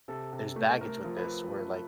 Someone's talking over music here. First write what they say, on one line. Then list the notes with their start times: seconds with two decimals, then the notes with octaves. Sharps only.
there's baggage with this where, like,
0.08 C3 A4
0.33 C3
0.56 A3
0.81 A3 A#4
1.04 F3
1.17 B4